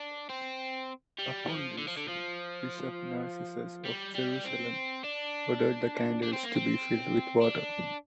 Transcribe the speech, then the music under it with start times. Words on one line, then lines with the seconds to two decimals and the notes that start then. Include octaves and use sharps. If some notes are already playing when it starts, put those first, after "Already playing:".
Upon this, Bishop Narcissus of Jerusalem ordered the candles to be filled with water.
Already playing: D4
0.30 C4
1.19 G3
1.49 F3
1.78 D3
1.88 F3
1.97 D3
2.08 F3
3.85 G3
4.15 G3
4.45 C4
5.04 D4
6.23 D4
6.33 C4
6.43 A#3
6.54 C4
7.42 D4